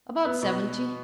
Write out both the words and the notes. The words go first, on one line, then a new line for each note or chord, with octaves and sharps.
"About seventy."
B3
B2